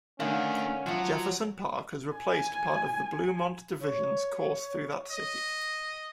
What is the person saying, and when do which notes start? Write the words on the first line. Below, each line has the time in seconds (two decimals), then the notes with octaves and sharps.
Jefferson Park has replaced part of the Bluemont Division's course through that city.
0.20 D#3 A3 C#4 D4 F5 F#5 G#5
0.86 F3 F#3 F#4
2.15 G#5
3.83 C#5
5.11 D#5